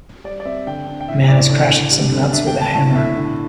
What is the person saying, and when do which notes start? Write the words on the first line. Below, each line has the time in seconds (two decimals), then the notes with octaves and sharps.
Man is crashing some nuts with a hammer.
0.24 G3 D5
0.40 D5
0.45 C4 E5
0.67 D3 G5
0.87 D4
1.01 G5
1.08 A2 E5
1.28 A2 D5
1.49 D3 D5
1.70 D3
1.91 G3
2.12 D3
2.33 D4 E5
2.47 G5
2.54 D3
2.61 A5
2.74 A2 A5
2.95 A2 E5
3.16 D3